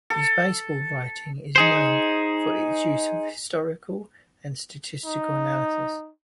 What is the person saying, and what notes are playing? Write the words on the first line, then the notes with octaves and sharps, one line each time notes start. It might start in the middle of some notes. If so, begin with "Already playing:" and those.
His baseball writing is known for its use of historical and statistical analysis.
A4
D#4 G#4 C5
D#4